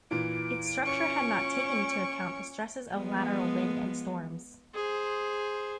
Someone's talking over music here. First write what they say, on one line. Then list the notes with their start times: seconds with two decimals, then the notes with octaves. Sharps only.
Its structure had not taken into account the stresses of lateral wind and storms.
0.11 A#2 E3 D7
0.83 C#4 C#5 C#6
2.92 F3 G#3 B3
4.74 G#4 C5